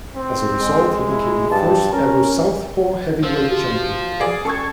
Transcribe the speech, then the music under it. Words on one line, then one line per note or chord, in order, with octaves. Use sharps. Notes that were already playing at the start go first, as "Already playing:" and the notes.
As a result, he became the first-ever southpaw heavyweight champion.
C4
G#3
E4
G2 A5
C#4 A#4
F3 A#4 C5
F#4 G4
G#4 D5
C#4 A4 C#6 E6 G#6